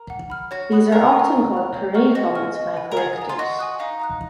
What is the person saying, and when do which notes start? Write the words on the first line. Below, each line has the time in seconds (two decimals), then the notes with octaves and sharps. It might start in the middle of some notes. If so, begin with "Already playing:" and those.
These are often called "parade helmets" by collectors.
Already playing: A#4
0.10 F#5
0.30 B5 F6
0.51 F#4 C#5
0.72 F#5 B5 D#6 F#6
0.92 A#4 F5
1.12 G#5 C#6
1.33 F5
1.54 B5 F#6
1.74 C#5
1.95 F#5 A#5 C#6 F6
2.15 F#4 D#5
2.35 G#5 C#6 F6
2.56 D#5
2.77 G#5 B5
2.92 A#4
2.97 G#4 F#5
3.18 A#5 D#6
3.29 F4
3.38 F#4 D#5
3.59 G#5 D#6 F#6
3.79 D#4 F5
4.00 A#5 D#6 F#6